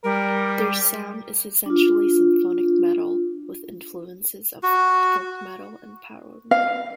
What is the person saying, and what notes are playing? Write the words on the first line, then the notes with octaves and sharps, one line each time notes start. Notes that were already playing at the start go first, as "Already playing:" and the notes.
Their sound is essentially symphonic metal with influences of folk metal and power metal.
G3 A#4
D4 F4
F#4
F5